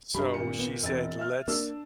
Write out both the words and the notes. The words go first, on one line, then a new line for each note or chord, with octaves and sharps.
So she said, "Lets"
G2 G3 E5 A#5 B5
G#1 A#2 C#7
B3
E1 C4 A6
E5 F6
A#3 D4 E6